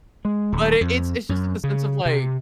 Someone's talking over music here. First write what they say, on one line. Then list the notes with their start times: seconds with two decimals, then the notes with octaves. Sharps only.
But it it's it's just in the sense of, like,
0.25 G#3
0.52 D#1
0.81 F2
1.29 F#2
1.64 C#3
2.06 C3